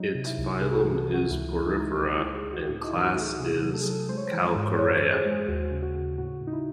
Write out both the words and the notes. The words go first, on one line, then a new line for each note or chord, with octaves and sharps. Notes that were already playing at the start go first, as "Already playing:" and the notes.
Its Phylum is Porifera and Class is Calcarea.
Already playing: F#3 D#4
C3
E4
C2
C3 G#4
F#4
G#4
E3
A4
E3
F#4
C#2 E4
C#2
D#4
E4
G#3 D#4
C#2 D#4
E4
C#2
G#4
C#2
F#4
A2
D#4
E4
E3
F#4
A3 F#4
G#4
C3 G#4
F#3
A4
G#4
F#3 A4
G#3 C5
C#5
E3 C5
G#2
F#2 C#5
C5
E3
G#4
G#3
G#4
D#2 F#4
C#3
F#4
C#3
A2 F#4
A2
D#4
E4